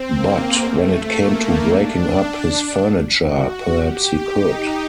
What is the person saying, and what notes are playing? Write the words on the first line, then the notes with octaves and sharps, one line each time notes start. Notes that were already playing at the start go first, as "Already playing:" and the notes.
But when it came to breaking up his furniture, perhaps he could!
Already playing: C4
A#3
A3
A#3
D4
F#4
G4
D#4